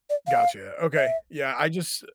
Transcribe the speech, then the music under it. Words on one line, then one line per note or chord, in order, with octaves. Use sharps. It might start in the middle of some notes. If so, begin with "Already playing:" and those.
gotcha. Okay, yeah. I just
D5
F5
E5